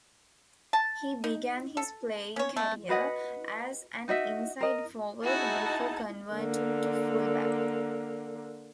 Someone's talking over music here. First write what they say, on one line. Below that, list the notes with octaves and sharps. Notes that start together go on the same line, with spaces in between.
He began his playing career as an inside forward before converting to full back.
A5
D#4
A4
C#4 C#5
A3
F#4 B4 D#5 F#5
D#4 F#4 D#5 E5
A#4 D#5
D#4 E4 F#4 G#4 F#5 A5
D3 A#3